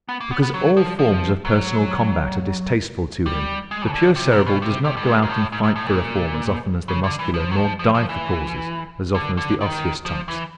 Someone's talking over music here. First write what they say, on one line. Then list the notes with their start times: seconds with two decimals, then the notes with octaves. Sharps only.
Because all forms of personal combat are distasteful to him the pure Cerebral does not go out and fight for reform as often as the Muscular nor die for causes as often as the Osseous types.
0.09 B3
0.20 A#3
0.31 B3
0.42 B3
0.54 F#3
0.77 F3
0.99 F3
1.45 F#3
3.26 G3
3.71 G#3
3.90 C#3
3.94 D3
4.16 C3
4.31 A#2
4.46 B2
4.62 C3
4.84 C3
4.97 G2
5.07 G#2
5.22 G#2
5.30 A2
5.52 G#2
5.63 G#2
5.76 A2
5.87 A#2
6.88 C#3
7.04 D3
7.19 E3
7.34 F3
7.51 F#3
7.56 F3
7.79 F3
7.94 F3
8.09 E3
9.14 D3
9.37 D3
9.61 D#3
10.05 F3
10.28 E3